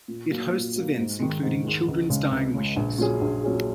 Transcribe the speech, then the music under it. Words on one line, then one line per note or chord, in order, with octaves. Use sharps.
It hosts events including children's dying wishes.
A#2
F#3 A#3
A#2
F#3 A#3
G#2
D#3 G#3
G#2
D#3 G#3
C#2
C#3 G#3
C#2
C#3 G#3
A#1
A#2 F#3 C#4 G#4
A#1
A#2 F#3 C#4 G#4